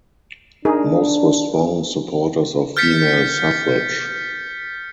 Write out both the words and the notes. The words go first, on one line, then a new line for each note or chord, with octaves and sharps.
Most were strong supporters of female suffrage.
D4 D#4 G#4 A#4
F6 G6 A6 B6 C#7